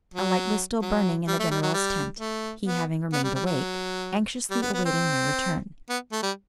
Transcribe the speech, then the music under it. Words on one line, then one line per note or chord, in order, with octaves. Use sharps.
A light was still burning in the General's tent, he having remained awake, anxiously awaiting my return.
F#3
F#3
G3
A3
G3
F#3
G3
A3
B3
B3
G3
G3
F#3
G3
B3
B3
C4
B3
A3
G3